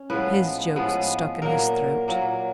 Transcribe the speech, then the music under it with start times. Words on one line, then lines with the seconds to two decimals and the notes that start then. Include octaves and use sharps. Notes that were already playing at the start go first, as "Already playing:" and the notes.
His jokes stuck in his throat.
Already playing: C#4
0.10 A2 F3 G#3 B3 B4
0.76 A2 F3 G#3 B3
1.42 A#2 F#3 A#3 A#4
2.08 A#2 F#3 A#3